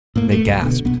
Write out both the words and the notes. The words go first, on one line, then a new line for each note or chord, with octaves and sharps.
They gasped.
A2 A#3
A3
C2 F#2
B2 D3
B1 B3